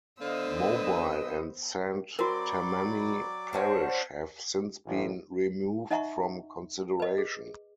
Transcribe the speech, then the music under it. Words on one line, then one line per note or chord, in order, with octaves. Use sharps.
Mobile and Saint Tammany Parish have since been removed from consideration.
D3 B3 C5 D#5 F5 E6
B4 D#5
F#3 C4 F#4 A#4 D5 B5 D6
C#4 D4 F#4 C5 F#5
A1
D#4 D#5 E5 F#5 A#5 C#6
B4 D#5
G#4